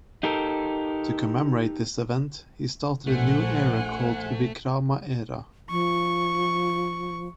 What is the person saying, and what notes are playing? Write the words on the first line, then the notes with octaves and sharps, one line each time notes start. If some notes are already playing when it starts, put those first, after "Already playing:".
To commemorate this event, he started a new era called the "Vikrama era".
D#4 G4 A4 A#4
A#1 A3 C5 F#5 G#5
F3 C#6